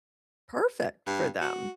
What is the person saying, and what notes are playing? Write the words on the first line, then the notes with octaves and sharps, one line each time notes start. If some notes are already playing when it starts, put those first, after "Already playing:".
perfect for them,
G2
F#4